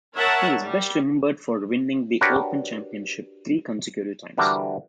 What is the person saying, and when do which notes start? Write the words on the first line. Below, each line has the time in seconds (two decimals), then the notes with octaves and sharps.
He is best remembered for winning the Open Championship three consecutive times.
0.17 A#4 C#5 E5 F#5 A5
0.61 G3
2.21 D4 F#4 G4 A#4 B4 C#5
4.38 D3 E3 G3 D4 F#4 A#4